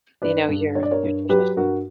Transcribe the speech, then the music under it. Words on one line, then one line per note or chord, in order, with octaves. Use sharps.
you know, your your traditions.
G2 B4 D5
G2
G2 C#5
D5
A#4 C#5
G2
F#3 G4 B4
G2 F#4 A#4